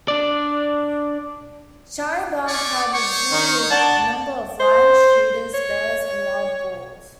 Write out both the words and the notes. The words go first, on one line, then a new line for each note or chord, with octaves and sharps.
Shahi Bagh had zoo with number of lions, cheetahs, bears and wild boars.
D4 D5
A3 G#4 D5 C#6
C5 C#5 C#6
D#3
D4 F#5 A5
C5
C#5